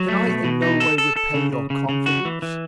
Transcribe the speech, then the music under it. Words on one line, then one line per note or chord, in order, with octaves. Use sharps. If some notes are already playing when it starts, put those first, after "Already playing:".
Can I in no way repay your confidence?
Already playing: F#3
A3
B2
B2
D#4
A4
A4
A4
C#3
C#3
C#3
C#3
F#4
E3
E3